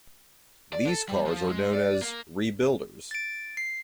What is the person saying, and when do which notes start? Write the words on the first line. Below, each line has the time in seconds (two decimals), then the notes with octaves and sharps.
These cars are known as "rebuilders".
0.73 D5
0.85 A4
1.09 G3
1.25 F3
1.49 G#3
1.73 D5
2.02 A#3
3.11 A6 D7
3.57 C7